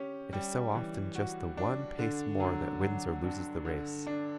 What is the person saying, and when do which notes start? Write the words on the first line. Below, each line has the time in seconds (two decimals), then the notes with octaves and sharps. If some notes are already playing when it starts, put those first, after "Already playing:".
It is so often just the one pace more that wins or loses the race.
Already playing: C#4 G4
0.33 G3
0.75 E3
1.15 F#4
1.57 D4
1.99 D3
2.40 F#3
2.81 F#3
3.24 G2
3.65 D3
4.07 D4